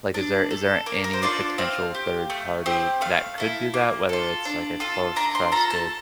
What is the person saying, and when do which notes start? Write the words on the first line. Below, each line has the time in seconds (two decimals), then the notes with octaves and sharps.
like, is there is there any potential third party that could do that, whether it's, like, a close trusted
0.14 D4
0.51 A4
0.86 A#3 A#4
1.04 A#4
1.13 C5
1.22 D4 F4 A4 D5
1.58 C4 F5
1.95 G4
2.30 A3
2.66 C4 G4
3.01 A3 F5
3.38 E4 A4
3.74 A#3
4.09 F4 A4
4.45 D4
4.80 F4 A4
5.16 D4 A#5
5.35 C6
5.52 F4 A4 A#5
5.70 A5